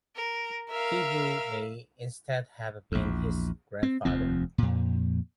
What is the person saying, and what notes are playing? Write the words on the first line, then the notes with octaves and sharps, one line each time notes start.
Thibaud may instead have been his grandfather.
A#4
A#4 E5 F5
A#1 E2
C4
F1 D#2 F3 C4
F2 A#2